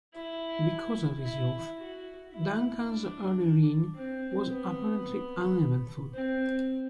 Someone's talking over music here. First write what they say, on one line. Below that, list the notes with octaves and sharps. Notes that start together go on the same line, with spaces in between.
Because of his youth, Duncan's early reign was apparently uneventful.
E4
E4
F#4
E4
D4
C4
B3
C4